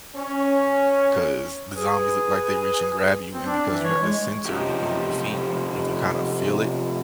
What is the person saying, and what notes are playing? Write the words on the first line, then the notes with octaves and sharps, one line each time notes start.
'cause the zombies look like they reach and grab you, and because you got the sensors on your feet, you can kinda feel it
C#4
G#4 B4
C4
D4
E3
C#5
G#3
C3 F3 G3 C#4 D#4 G4